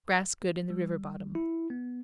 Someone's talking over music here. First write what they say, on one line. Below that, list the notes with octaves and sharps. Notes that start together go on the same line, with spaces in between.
Grass good in the river bottom.
G3
E4
B3